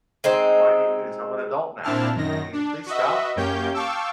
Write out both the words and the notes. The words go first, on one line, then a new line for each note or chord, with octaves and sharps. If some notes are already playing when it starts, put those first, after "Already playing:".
Why do you do this, I'm an adult now, can you please stop?"
G#3 C4 D#4
A#2 C4 D4 E4 A5 F6
F#2 D#3 A#6
D4
F#4 B4 D#5 E5
F#2 A#3 C#4 G4 G5 G6
F5 G5 A5 C#6 D6 E6